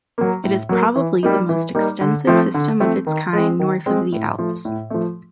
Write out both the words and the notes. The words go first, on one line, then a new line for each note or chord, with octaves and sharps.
It is probably the most extensive system of its kind north of the Alps.
F#3 A#3
A2
F#3 A#3
E3
G3 A#3 D#4
E3
G3 A#3 D#4
D3
F3 A3 C4
D3
F3 A3 C4
D#3
G#3 C4
D#3
G#3 C4
A2
F3 A3
A2
F3 A3